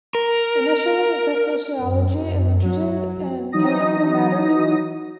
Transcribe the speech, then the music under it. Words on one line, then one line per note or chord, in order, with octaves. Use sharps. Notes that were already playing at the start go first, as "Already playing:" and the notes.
Initially, this sociology is interested in technical matters.
A#4
F#2
F#3
E3 F#3 D#4 D#6 A#6